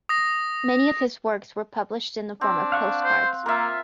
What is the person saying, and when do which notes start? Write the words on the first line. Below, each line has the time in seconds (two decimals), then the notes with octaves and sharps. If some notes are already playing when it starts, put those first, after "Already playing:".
Many of his works were published in the form of postcards.
0.09 D#6 A#6
2.41 C4 D4
2.72 F5 F#5 C#6
3.04 C5
3.46 A#3 F4 A#4 E5